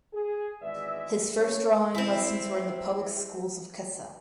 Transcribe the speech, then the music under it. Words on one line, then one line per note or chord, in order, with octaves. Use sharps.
His first drawing lessons were in the public schools of Kassel.
G#4
G#1 E2 G#3 B4 D5 E5
F#1 C#3 A3 B4 C#5
C4 E4